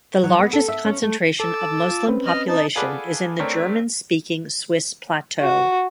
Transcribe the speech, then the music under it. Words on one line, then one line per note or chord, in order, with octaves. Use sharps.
The largest concentration of Muslim population is in the German speaking Swiss plateau.
F#3
B3
A4
E5
C#4
A3
A4 A5 D6 E6
F4
C4 C#4 B4
D#5 F6
D#4 A5
F4 G#4 A4 B4 D5 F#5
A3 C4 D4 A#4 C#5
F#4